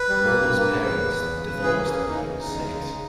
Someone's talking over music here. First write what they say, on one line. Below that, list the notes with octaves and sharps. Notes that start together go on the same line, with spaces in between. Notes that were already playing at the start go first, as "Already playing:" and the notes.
Warner's parents divorced when he was six.
Already playing: B4
G3
A#3
G2
A#3
C#3
E2
E2
E2
C#3
C#3
E3 G#4
A#3
C#4
E3
C#3 D#4
C#3
E2
G#3
C#3